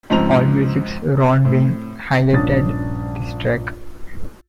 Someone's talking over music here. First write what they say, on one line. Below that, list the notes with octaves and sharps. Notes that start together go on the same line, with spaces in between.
Allmusic's Ron Wynn highlighted this track.
C#2 G#2 F3 C4 A#5 F7
A2 C4
A#1 G2 C#4 D4 D#6 A6